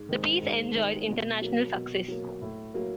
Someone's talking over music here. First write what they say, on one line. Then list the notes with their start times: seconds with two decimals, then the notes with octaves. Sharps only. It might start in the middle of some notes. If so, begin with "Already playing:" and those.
The piece enjoyed international success.
Already playing: G#2
0.09 D#3 G#3 C4
0.42 G#2
0.75 D#3 G#3 C4
1.08 B2
1.42 F#3 A#3
1.75 B2
2.08 F#3 A#3
2.42 A2
2.74 F#3 A#3